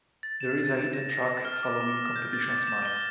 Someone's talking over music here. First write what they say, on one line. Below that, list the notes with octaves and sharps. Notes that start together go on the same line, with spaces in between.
There is a hidden track following "Competition Smile".
A6
E7
A6
A6
A#6
A#6
A6
F6
D6
D6
D6
G6
A6
A6
E7
G7